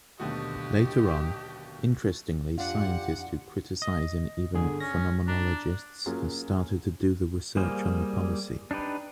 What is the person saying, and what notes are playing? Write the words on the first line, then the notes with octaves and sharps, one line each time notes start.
Later on, Interestingly scientist who criticize and even phenomenologists has started to do the research on the policy.
D#2 B2 D3 F#3 A3 F#4 G4 D#5
F2 D4 F4 G4 F#5 F#6
D#5
G1 D3 G#4
C#4 A#6
D4 A#5
F#3 A#3 C#4 F4 G#4
G3 A#3 G#4 C5
D4 D#4 G4 B4